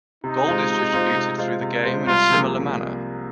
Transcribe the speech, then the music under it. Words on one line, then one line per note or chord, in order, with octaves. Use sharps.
Gold is distributed through the game in a similar manner.
C3 D#4
G#3 F4 C5
C3
G#3 F4 C5
C3
G#3 F4 C5
C3
G#3 F4 C5
C2 F4
C3 F3 A#3 G#4